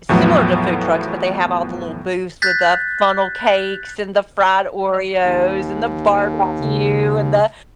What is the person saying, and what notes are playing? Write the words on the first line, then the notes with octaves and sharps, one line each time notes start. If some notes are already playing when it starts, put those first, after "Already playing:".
similar to food trucks, but they have all the little booths with the funnel cakes, and the fried Oreos, and the barbecue, and the,
E2 A2 F3 F#3 A3 B3
F#6 G6 A6 B6
D#2
C#3